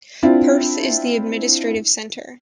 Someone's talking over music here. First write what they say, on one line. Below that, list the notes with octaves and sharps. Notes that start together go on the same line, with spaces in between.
Perth is the administrative centre.
C4 D4 E4 F4